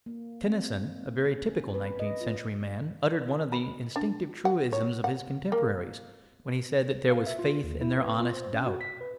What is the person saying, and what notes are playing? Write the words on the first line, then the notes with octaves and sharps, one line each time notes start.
Tennyson, a very typical nineteenth century man, uttered one of the instinctive truisms of his contemporaries when he said that there was faith in their honest doubt.
A#3
C4
C#4
B4
D#5
F4
B5
D4
F#5
C#5
F#5
A#3
F5
E5
F4
D#2
E4
B4
F4
C5
C#4
F#4
B6
B4